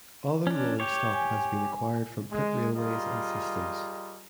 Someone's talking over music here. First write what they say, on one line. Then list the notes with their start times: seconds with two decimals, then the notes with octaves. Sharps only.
Other rolling stock has been acquired from pit railways and systems.
0.47 C#4 D4
0.80 G4 C#5
1.13 G#5
2.31 G#3
2.76 G3 F4 G#4 A#4 D#5